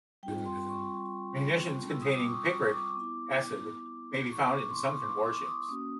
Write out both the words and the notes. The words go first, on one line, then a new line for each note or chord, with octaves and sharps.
Munitions containing picric acid may be found in sunken warships.
G3 C4 F4 G5
C6
C#6
E6
D#6
D6
C#6
C#6
D6
B3 E4
C#6
D6
C#6
C6
C#6
D6
D6
D#6
A#3 C#4 F#4 D#6